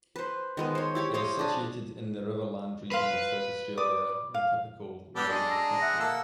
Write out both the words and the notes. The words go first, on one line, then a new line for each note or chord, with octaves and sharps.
It is situated in the Riverland region of South Australia, in typical 'Mallee' country.
B4 C5
D#3 G#3 B3
C5 C#5
E4 G4 C#5
C5 C#5 D#5 F5
D4 G#4
B4 F5 C6
D5 D6 D#6
F5
B3 D4 G4 A4
G#3 D4 D#5
A#5
E5 F#5
A#3 A4 E6